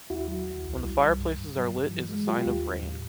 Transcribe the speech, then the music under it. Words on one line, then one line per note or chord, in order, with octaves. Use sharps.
When the fireplaces are lit is a sign of rain.
D#2 E4 F#4
F#3
D#2
C2
G3
C2
G2
G2
F#3
G2
E3
G#3
F#3 F4 G4
D#2
D#2
A2